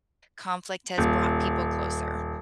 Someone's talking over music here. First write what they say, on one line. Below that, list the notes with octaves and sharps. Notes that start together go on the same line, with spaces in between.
conflict has brought people closer?
D#1